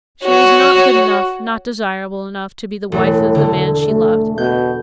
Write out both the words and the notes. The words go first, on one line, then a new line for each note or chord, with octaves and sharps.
She was not good enough, not desirable enough, to be the wife of the man she loved.
F#4 C#5
E1 A2
D3
A3
B2 G6